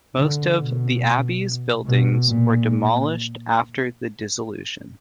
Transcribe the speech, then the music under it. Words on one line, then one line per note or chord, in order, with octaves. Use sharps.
Most of the abbey's buildings were demolished after the dissolution.
D3
B2
B2
A#2